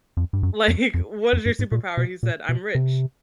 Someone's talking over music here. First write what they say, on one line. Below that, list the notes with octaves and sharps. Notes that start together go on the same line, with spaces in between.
like, "What is your superpower?" he said, "I'm rich."
F2
G2
F#2
F2
F2
F2
G2
G#2
A#2
B2
A#2
B2
C3